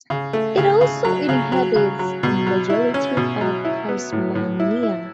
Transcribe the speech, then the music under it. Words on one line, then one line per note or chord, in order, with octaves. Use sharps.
It also inhabits a majority of Tasmania.
C#3
A3
C#3
C#3
F#3
C#3
F#3
C#3
F#3
B2
F#3
E4
C#4
B2
F#3
E4
B3
A2
A2
E4
E4